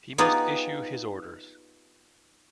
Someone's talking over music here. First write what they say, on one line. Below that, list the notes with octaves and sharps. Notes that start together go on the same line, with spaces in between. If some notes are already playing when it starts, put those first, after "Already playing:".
He must issue his orders.
B3 D#4 F4 G4 G#4 D5